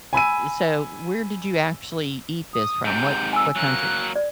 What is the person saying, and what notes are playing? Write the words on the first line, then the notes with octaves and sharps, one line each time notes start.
so where did you actually eat this from? What what country?
G#5 B5 E6 D#7
D#6
G#2 C3 G6
G#5 E6
F#3 A#3 F#6
D5